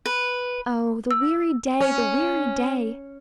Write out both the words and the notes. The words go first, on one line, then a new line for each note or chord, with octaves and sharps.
Oh, the weary day! the weary day!
B4
E6
C#4